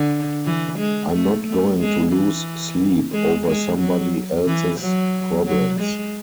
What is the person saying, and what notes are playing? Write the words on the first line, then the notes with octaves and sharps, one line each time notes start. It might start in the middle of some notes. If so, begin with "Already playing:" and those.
I'm not going to lose sleep over somebody else's problems.
Already playing: D3
E3
G#3
A3
A3
G#3
E3
G#3
G#3
F#3
E3
F#3
F#3
G#3